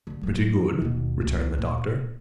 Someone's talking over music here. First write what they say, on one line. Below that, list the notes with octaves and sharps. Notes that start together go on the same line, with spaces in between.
"Pretty good," returned the Doctor.
D3 G3
F#3 A#3
D#2 B2
C#2 A#3
A#2